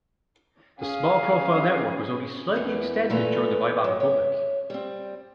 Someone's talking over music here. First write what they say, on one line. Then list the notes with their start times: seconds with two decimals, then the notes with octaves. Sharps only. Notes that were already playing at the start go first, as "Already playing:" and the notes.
The small profile network was only slightly extended during the Weimar Republic.
0.79 C#4 G#4 F5
2.53 E2 A#4 B4
3.10 A#2 E3 A3 A4 B4 A#5
3.84 F#3
4.00 C#5 E5
4.70 G3 C4